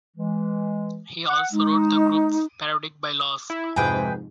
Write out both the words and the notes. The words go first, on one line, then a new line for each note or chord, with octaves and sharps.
He also wrote the group's parodic by-laws.
E3 G#3
F#5
G#3 D#4
E4
F2 G#2 C3 G#4 B4 G5